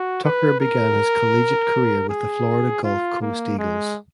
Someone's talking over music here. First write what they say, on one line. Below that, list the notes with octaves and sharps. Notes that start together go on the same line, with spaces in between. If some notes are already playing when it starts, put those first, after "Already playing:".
Tucker began his collegiate career with the Florida Gulf Coast Eagles.
Already playing: F#4
B4
A#4
G#4
F4
A#3
G#3